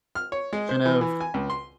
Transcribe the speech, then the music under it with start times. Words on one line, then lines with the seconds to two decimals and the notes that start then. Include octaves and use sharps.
kind of
0.15 F6
0.32 C#5
0.53 G#3
0.69 C5
0.85 E3
1.01 E3
1.21 G#5
1.34 C#2
1.50 C6